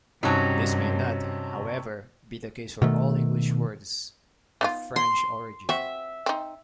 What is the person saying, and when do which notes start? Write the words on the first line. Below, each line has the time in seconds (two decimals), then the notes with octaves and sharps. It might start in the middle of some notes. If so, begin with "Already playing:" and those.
This may not, however, be the case for all English words of French origin.
0.23 G2 C3 F#3 C#4 D#4 A5
2.82 B2 D#3 A3
4.61 B3 D#4 F4
4.96 C6
5.69 C4 F#4 E5
6.26 C4 D#4